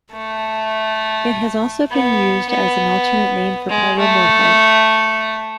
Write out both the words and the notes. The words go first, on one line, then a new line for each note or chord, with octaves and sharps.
It has also been used as an alternate name for pyromorphite.
A3
B3
B3
G#3
A3